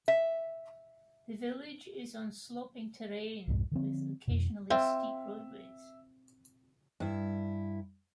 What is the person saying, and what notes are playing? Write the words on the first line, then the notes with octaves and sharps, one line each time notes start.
The village is on sloping terrain with occasionally steep roadways.
E5
C2 F2 G#2
D3 F3 C4
F2 B2
C4 F4 E5
G2 E4